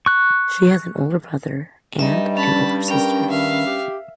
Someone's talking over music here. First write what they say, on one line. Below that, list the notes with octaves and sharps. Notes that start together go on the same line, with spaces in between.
She has an older brother and an older sister.
C#6 F#6
G2 G3 D#4 D#5 E5
C#4 A5 B5
C#4 A#4 G5 B5
D#3 E5 F5
G4